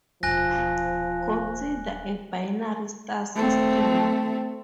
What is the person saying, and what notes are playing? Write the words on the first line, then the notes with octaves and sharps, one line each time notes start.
Consider a binary star system.
D#1 B2 F3 G#5 F#6 A#6
A3 C4